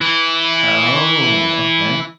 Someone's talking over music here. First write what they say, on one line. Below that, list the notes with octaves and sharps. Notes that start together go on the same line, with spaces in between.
Oh, okay.
E3 E4